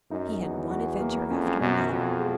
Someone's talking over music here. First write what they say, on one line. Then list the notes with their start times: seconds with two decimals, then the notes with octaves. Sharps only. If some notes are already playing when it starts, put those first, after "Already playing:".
He had one adventure after another.
0.11 F#2 D#4
0.41 E2 F#3
0.71 F#4
1.01 A#3
1.30 F2 C#4
1.60 F#2 B2
1.90 F2 F#4
2.20 G#3